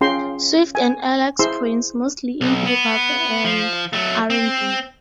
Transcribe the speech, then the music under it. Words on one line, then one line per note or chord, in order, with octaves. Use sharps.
Swift and Alex Prince, mostly in hip-hop and R and B.
C#4 F4 G#4 G5 C6
G#5
E4 G#4 C5 C6 E6
B1
B3
F3
F#3 A3
C4